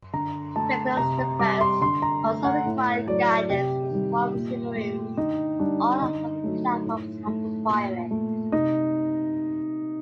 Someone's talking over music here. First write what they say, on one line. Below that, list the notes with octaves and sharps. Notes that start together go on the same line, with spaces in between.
Regulus I also required guidance from submarines or other platforms after firing.
D3 A#5
A3 A5
C3 A#5
A#5
G3 D6
C6
D3 C6
A#5
A3
F#5
A2
F#3 A3 D5
C3 G4
D#3 G3
A#2
A3
D3 D#4
G3 D4
D3 D#4
F#3 A3
A2
A3
A#2
A3
C3 D#4